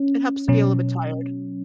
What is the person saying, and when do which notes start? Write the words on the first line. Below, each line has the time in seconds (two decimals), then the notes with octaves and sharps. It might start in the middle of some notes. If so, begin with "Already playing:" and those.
It helps to be a little bit tired.
Already playing: C#4
0.48 B2 F#3 C#4